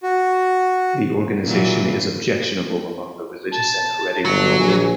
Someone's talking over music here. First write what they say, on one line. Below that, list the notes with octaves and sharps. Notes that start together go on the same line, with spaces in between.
The organization is objectionable among the religious and Haredi public.
F#4
A#2 E3 F#3
A5
G1 F#3
A#1 G#5